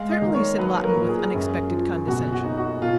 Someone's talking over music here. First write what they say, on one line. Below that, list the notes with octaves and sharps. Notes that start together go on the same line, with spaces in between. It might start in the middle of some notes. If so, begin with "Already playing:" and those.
"Certainly," said Lawton, with unexpected condescension.
Already playing: G#3 F5
D#5
D#3
C#5
F#3 B4
A#4
A#2
G#4
F#2
F3
B2 F#4
F#4
D#4
F#4
B2 F4